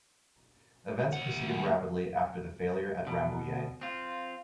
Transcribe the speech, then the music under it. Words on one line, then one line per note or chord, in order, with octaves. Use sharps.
Events proceeded rapidly after the failure at Rambouillet.
D#2 F#5
B2
C4 F4